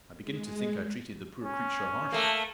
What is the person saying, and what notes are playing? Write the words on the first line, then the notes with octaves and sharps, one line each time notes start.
I begin to think I treated the poor creature harshly.
G#3
C#4
A3 A#3